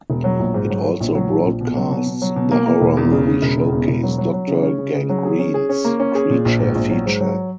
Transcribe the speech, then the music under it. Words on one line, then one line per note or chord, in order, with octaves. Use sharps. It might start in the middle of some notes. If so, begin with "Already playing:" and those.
It also broadcasts the horror movie showcase "Doctor Gangrene's Creature Feature".
E1
F#3
A#1
G#2
F#3
F#3
A#1
F#3
A#1
A#1
B2
F#3
B2
B2
F#3
B2
A#3
A#3
E1
E2
C#3
C#3
E1
C#3
E2
E1
F#3
F#3
F#3
C#3
C#4
C#3
C#3
F#3
G#4
C#4
G#4
C#4
A#3
C#4
G#4
A#2
A#1
G#2
A#1
F#3
G#2
F#3